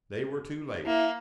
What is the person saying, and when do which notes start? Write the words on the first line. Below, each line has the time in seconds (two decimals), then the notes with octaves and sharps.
They were too late.
0.85 A#3 E4